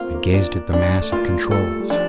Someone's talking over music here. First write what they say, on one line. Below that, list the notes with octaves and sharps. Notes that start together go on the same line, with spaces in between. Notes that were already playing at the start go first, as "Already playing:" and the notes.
I gazed at the mass of controls.
Already playing: A3 A#3 C4 F4
A#3
D4
D4
A3
A#3 F4
G3
A3 A4
G3
F3 D4